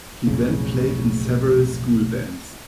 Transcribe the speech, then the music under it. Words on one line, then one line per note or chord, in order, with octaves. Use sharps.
He then played in several school bands.
B1 F2 A2 C#3